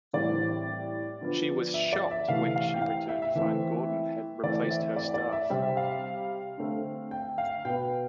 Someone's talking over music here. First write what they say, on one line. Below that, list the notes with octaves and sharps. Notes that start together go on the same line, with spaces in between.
She was shocked when she returned to find Gordon had replaced her staff.
A2 E3 G3 C4 D5
D3 F3 B3
E5
D5
E5
C3 E3 A3 F5
F5
G5
F5
E5
E5
E3 A3 C4
E3 A3 C4 D5
E5
D5
D5
E5
C3 G3 C4 E5
F5
D3 A3 C4
G5
F5
B2 B3 G5